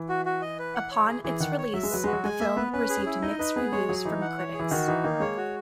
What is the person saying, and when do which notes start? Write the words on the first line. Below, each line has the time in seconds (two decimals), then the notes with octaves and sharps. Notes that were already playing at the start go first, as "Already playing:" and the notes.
Upon its release, the film received mixed reviews from critics.
Already playing: E3
0.09 F#4
0.26 F#4
0.42 D#5
0.59 B4
0.75 F#5
0.91 C#5
1.08 G#4
1.24 E3 G#4
1.40 D#3 F#5
1.58 C#5
1.74 F#3 E5
1.83 G#3
1.90 F#3 B4
2.04 G#3 F#4
2.13 F#3
2.24 G#3 G#5
2.40 A#3 E5
2.57 B3 B4
2.73 C#4 B4
2.90 G#4
2.97 C#4
3.06 E4
3.22 D#4 D#5
3.39 D#4 B4
3.56 B3 G#4
3.72 G#3 C#5
3.88 F#3 G#4
4.05 E3 D#4
4.21 F#5
4.38 C#5
4.54 G#4
4.59 E3
4.71 D#3 F#4
4.88 E3 D#4
5.03 D#3 A#3
5.20 G#3 C#5
5.37 F#4